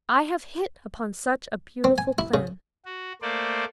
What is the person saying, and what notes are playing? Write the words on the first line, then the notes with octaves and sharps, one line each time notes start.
'I have hit upon such a beautiful plan.
C4
G#5
E4
C#3
F#4
A3 A#3 C5 D5